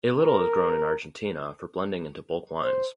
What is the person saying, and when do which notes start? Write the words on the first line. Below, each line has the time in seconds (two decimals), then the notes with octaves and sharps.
A little is grown in Argentina for blending into bulk wines.
0.22 A#4
2.63 C5